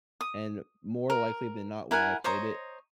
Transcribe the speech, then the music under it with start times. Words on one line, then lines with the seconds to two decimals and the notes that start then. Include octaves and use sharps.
and more likely than not when I played it,
0.21 D#6
1.10 A#4
1.91 E4 A#4 F#5 G#5
2.24 C5 C#5 D#5 A#5